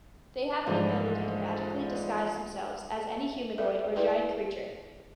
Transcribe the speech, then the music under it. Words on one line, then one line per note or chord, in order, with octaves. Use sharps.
They have the ability to magically disguise themselves as any humanoid or giant creature.
G#2 E3 F3 A3 D4 E4
A4 B4 D5 E5
E4 G#4 B4 D5 G5